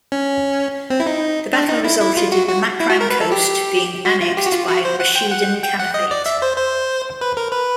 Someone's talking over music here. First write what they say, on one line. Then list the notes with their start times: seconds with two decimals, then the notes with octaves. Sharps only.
The battle resulted in the Makran coast being annexed by Rashidun Caliphate.
0.12 C#4
0.90 C4
1.00 E4
1.07 D#4
1.53 D4
1.69 D#4
1.84 E4
2.01 E4
2.17 F4
2.32 F#4
2.48 F#4
2.80 E4
2.90 F#4
3.01 A#4
3.10 B4
3.21 A4
3.32 G4
4.05 F#4
4.21 F4
4.37 G4
4.46 F#4
4.52 F4
4.68 F#4
4.85 C5
5.00 F#5
5.15 G5
5.31 F#5
5.63 G5
5.79 F#5
5.94 D#5
6.11 D5
6.26 E5
6.42 C5
6.58 C5
7.21 B4
7.37 A#4
7.52 B4